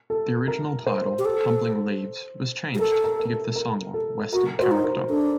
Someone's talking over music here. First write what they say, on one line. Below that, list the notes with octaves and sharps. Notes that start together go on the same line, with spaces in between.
The original title "Tumbling Leaves" was changed to give the song a western character.
A4
A#4
C5
G4
A4
G4
A4 A#4
A#4
A#4
A4
A#4
A4
F#4 A#4
F#4 C5
D#4
A#4
D4 A4